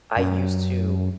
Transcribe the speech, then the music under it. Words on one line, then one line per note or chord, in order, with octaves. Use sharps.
I used to
F#2